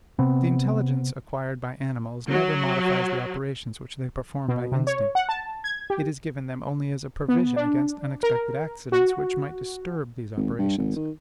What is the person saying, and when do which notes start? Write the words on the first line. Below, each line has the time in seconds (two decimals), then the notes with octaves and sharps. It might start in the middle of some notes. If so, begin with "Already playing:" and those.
The intelligence acquired by animals never modifies the operations which they perform by instinct: it is given them only as a provision against unexpected accidents which might disturb these operations.
0.19 C3 B3 C4
2.30 F#3
4.48 B2
4.72 C3
4.87 C#5
5.15 F#5
5.29 A5
5.64 G#6
5.90 G4
7.28 B3
7.56 D4
8.23 A#4
8.92 F#4
10.37 G#1
10.59 G2
10.78 G#1
10.96 D#3